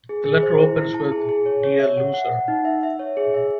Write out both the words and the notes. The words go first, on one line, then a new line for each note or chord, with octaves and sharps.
The letter opens with "Dear Loser".
G#4
G#4
C5
E4
E4
A5
G#4
G#4
C#5
C#5
E5
F#5
F#5
F#5
D#4
E5
E5
C#5
G#4
E5